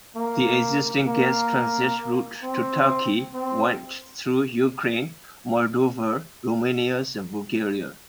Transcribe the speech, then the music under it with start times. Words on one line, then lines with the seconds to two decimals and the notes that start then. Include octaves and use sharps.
The existing gas transit route to Turkey went through Ukraine, Moldova, Romania, and Bulgaria.
0.16 A#3
1.07 A#3
2.44 C4
3.34 C4